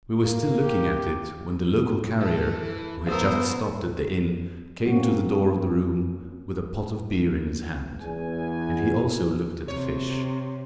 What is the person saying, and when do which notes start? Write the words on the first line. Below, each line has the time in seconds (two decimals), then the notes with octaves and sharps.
We were still looking at it, when the local carrier, who had just stopped at the inn, came to the door of the room with a pot of beer in his hand, and he also looked at the fish.
0.25 A#3
0.63 G4
2.21 A3 A4
2.57 E3
3.07 B2 F3 B3 A#4 C5 F5 D#6 E6
4.85 A#3 C4 C#4 F#4
8.01 E2 G#5
9.68 C3 C#5